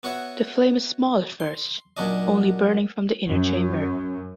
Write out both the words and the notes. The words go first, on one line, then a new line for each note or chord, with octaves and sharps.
The flame is small at first, only burning from the inner chamber.
B3 F#4 C#5 E5
C6
F#2 A#2 F#3 D4 D#5
F#2